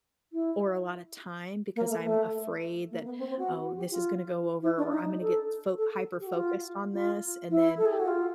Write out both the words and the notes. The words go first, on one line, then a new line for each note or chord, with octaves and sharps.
or a lotta time because I'm afraid that, "Oh, this is gonna go over or I'm gonna get fo hyperfocused on this, and then
E4
A#3
A3
A3
A#3
B3
C4
C4
F#4
G4
F4
E4
D4
D#4
A4
A4
G4
F#4
F4
F4
E4
A4
G#4
G4
F#4
F4